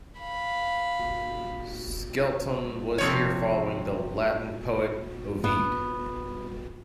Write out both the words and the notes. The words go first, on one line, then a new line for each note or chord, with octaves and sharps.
Skelton was here following the Latin poet Ovid.
F5 B5
C3 F3 C#5
B3